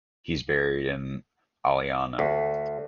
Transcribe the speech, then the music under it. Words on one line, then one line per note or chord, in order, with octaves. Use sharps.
He is buried in Aliano.
D2